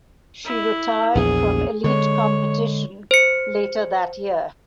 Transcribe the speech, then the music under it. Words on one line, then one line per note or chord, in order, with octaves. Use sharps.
She retired from elite competition later that year.
E4
A#1 E2 E3 G#4
D3 G#3 C#5
C5 C#7